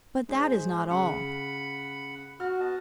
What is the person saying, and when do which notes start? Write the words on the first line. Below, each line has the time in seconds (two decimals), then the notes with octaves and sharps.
But that is not all.
0.29 G#2 G#4 C5
0.90 C#3 F#5 B5
2.40 F#4 F6
2.60 B3 D#5 A5